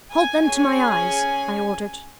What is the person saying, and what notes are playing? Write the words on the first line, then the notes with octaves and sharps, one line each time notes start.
"Hold them to my eyes," I ordered.
G#5
C#4 G#4 G#5